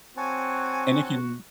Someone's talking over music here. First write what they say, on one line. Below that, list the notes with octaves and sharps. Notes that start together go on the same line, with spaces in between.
And it can
C4 F#4 C#5 F#5 G#5 A5